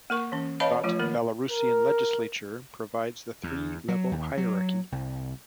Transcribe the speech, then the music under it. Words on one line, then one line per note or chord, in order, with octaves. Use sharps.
But Belarusian legislature provides the three-level hierarchy.
A#3 A#4 C#6
E3 C#4
B4 C#5 D#5 F5 A5 B5
F3 A3 F4
D#3 A#3 A#4
A#4
E2
F#3
D#2
F#3
C2